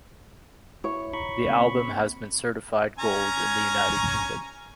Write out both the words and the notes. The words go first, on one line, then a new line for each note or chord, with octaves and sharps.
The album has been certified gold in the United Kingdom.
E4 C#5
A#5 B5 C#6
C#3 A#3 C4
C#4 G#5 A#5